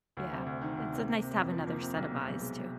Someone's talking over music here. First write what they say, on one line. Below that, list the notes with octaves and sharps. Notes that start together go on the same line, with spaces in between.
Yeah, it's a nice to have another set of eyes, too,
D2
C3
D2
D#3
D2
C3
A#3
C3
F2
F3
A#3
C3
B1
B2
B1
G#3